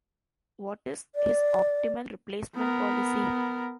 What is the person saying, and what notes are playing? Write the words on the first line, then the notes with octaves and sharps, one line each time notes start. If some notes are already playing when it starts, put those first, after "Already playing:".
What is his optimal replacement policy?
D5
B3 A#4